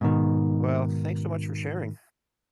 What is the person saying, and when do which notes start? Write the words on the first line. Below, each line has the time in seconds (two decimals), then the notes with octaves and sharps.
Well, thanks so much for sharing.
0.01 G#2 B2 D#3